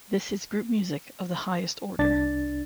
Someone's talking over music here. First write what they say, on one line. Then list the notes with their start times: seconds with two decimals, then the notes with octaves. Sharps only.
This is group music of the highest order.
1.99 C2 D4 A6